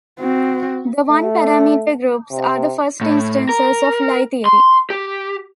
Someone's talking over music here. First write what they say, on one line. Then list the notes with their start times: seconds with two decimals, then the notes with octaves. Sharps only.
The one-parameter groups are the first instance of Lie theory.
0.20 C4 F#4
1.10 A3
2.31 C3
3.01 A2
3.49 A#4
4.45 C6
4.90 G4